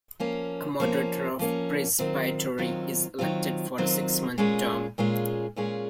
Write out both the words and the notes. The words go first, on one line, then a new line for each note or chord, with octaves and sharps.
A moderator of presbytery is elected for a six-month term.
F3 A#3 C#4
F3 A#3 C#4
F3 A#3 C#4
D#3 F#3 C4 F4
D#3 F#3 C4 F4
D#3 F#3 C4 F4
D#3 F#3 C4 F4
A#2 G#3 C#4 F4 G#4
A#2 G#3 C#4 F4 G#4
A#2 G#3 C#4 F4 G#4